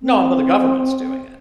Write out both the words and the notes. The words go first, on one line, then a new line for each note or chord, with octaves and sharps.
No, but the government's doing it.
C4